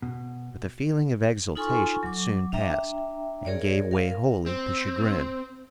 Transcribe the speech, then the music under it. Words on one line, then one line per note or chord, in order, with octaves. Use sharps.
But the feeling of exultation soon passed and gave way wholly to chagrin.
B2
D#4 F4 A4 G#5 C6 C#6
F#3 D6
D4 E5 G5 A#5
G#4 A#4 C#5 D5
A#4 F5
C4